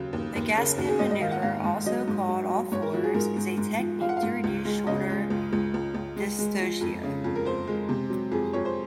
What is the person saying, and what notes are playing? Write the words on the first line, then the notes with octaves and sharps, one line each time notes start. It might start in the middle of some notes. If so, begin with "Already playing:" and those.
The Gaskin Maneuver, also called all fours, is a technique to reduce shoulder dystocia.
Already playing: D#2 C#3 F#3
D#2
D#2
C#3 A#4
D#2 F#4
G#4
G#2 D#5
D#5
D#3 F5
F#5
G#2 F5
G#2
F#3 D#5
G#2
F#3
F#3
G#2 C#5
A#4
F3 F#4
G#4
G#2 A#4
G#2
G#2
F3
F3 F5
F#5
F5
G#2
C#2
G#3
C#3 D#5
G#3
C#2
C#2
C#2
C#2
G#3
G#3
F3
F2
C#3
F2
A#4
F2 C5
G#3
C3
F#3
F2 G#4
F2 C#5
C5